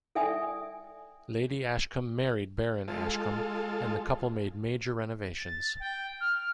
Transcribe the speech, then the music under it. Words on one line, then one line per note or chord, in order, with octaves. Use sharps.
Lady Ashcombe married Baron Ashcombe, and the couple made major renovations.
A4 D5 E5 G5 G#5 D#6
G#3 F4 A4
A6
G5
F6